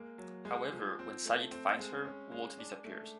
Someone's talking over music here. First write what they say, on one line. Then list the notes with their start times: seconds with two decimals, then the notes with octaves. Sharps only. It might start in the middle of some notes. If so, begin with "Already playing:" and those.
However, when Sayid finds her, Walt disappears.
Already playing: G#3 A#3
0.18 F#3
0.45 G#3
0.72 F3
0.99 C4
1.25 A3
1.51 C4
1.79 G#3
2.05 C#4
2.32 G#3
2.58 D4
2.85 A3